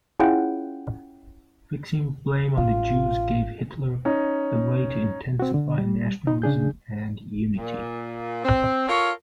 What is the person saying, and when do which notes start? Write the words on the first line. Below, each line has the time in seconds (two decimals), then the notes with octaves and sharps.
Fixing blame on the Jews gave Hitler a way to intensify nationalism and unity.
0.19 C#4 E4 F4 G#4 F#5 G5
2.57 A1 F4
4.05 C#4 D#4
5.40 C4 F#4
5.54 D3
5.78 G3
6.27 D#4
6.42 C#3 D4 G#4 G6
7.56 A#2
8.44 C4
8.88 F4 A4 A#4 C#5